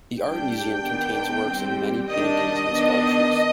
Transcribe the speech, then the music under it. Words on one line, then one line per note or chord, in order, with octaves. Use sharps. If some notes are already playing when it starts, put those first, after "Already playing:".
The Art museum contains works of many paintings and sculptures.
G3 D4 G5
D#3 B3 D4
G3 C4
D#3 G3 D4 D#5
D#3 B3 D4